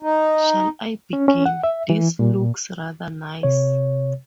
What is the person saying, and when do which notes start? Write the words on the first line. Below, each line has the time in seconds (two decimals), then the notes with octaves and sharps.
Shall I begin? — this looks rather nice.
0.03 D#4
1.13 C#4
1.28 C#4
1.46 F#5
1.64 E5
1.90 E3
2.19 A#2
3.43 C3 C#5